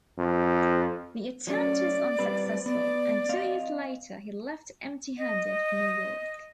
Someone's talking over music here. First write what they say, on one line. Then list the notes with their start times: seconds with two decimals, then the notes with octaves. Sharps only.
The attempt was unsuccessful, and two years later he left empty-handed for New York.
0.19 F2
1.47 F#3 A3 C#4 D5
2.19 G3 C4 B4
2.66 B3 D5
3.29 C4 D#5 F5
5.18 D#5